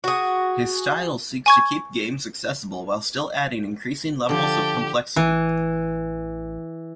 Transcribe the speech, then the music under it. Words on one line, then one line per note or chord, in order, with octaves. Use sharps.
His style seeks to keep games accessible while still adding increasing levels of complexity.
F#4 G#4
G#5 C#6 G#6
D3 F3 G4 A5
A1 E3